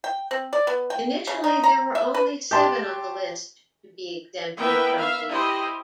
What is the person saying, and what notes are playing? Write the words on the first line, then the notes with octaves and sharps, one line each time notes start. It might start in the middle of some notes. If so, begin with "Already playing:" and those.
Initially there were only seven on the list to be exempted from the act.
G5
C4
D5
B3
G5
C#3
D#4
A#5
E5
B4
G4 A5 C6
A#3 B3 E4 B4 E5 G5
E5 F5
E4 G4 C5 D#5